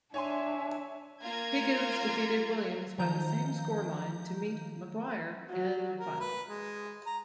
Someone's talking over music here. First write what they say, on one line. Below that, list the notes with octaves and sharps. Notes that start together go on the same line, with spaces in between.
Higgins defeated Williams by the same scoreline to meet Maguire in the final.
D4 C#5 E5 G#5 C6
A#3 F4 A#5 G#6
D#3 F3 A#5 G6
F#3
A#4
B4
G#3
A#5